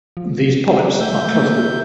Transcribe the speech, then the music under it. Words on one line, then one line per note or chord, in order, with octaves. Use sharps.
These polyps are clustered.
F3
A3 E5 G6
A#3